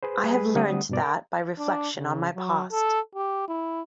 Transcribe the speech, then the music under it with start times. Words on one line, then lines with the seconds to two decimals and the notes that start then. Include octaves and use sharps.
I have learnt that by reflection on my past.
0.03 G#4 B4 C5
0.24 G3 G#4 B4
0.55 D3 G3 A3 C4 F#5 D#6
0.89 G2 B2 D5
1.02 A#4 G5
1.58 D4
1.97 C#3
2.35 F#3
2.72 A4
3.15 G4
3.48 E4